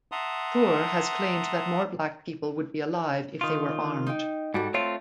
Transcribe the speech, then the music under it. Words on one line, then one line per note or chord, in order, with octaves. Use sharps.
Toure has claimed that "more Black people would be alive if they were armed".
E5 F#5 A5 A#5 C6 D#6
D#3 F4
D#4 G5
G#2 G3 F#4 A4
A3 C4 F4 C#5